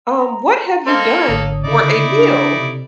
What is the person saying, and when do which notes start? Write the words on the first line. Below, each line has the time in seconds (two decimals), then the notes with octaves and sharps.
Um, "What have you done for a meal?"
0.18 A#5
0.86 A#3 A4 A#4 C5 D#5 F5 C6
1.28 G#1 D3 C#5 D#6
1.64 C#3 D#4 E4 A4 D5
2.17 D4
2.58 C3